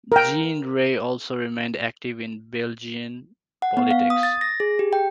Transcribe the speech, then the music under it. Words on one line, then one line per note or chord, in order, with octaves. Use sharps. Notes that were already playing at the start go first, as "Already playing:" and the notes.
Jean Rey also remained active in Belgian politics.
A#4 G5
F#5
B3
F5
D#6
A6
A#6
G#4
G4
G5